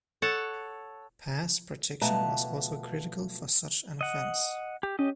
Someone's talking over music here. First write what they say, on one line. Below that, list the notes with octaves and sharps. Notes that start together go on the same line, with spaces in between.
Pass protection was also critical for such an offense.
A4 C#5 F#5 A5
B2 F3 A3 B4 A5 A#5
D#5 F#5
G4
C#4 G4 D#5